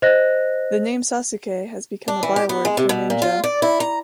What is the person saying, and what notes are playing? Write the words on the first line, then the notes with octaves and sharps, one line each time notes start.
The name Sasuke has become a byword for ninja.
C5 D#5 F#6 A#6
D4
E3
G4
B3
G#3
C3
B2
A#2
F4
D5
E4
A#5